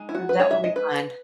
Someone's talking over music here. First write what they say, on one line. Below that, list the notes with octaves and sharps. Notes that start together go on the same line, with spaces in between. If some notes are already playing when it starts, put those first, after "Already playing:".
That will be fun.
Already playing: G#3 D#4
E4
F#4
B4
G#3 D#4 C#5
E5
D#5
B4